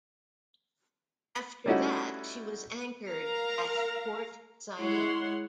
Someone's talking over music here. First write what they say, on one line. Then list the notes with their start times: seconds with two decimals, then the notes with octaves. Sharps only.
After that, she was anchored at Port Said.
1.66 G3 A3 C#4 D#4 E4 F#4
3.08 A#4 F5 A#5
4.77 G#3 E4 C#5 F#5 C6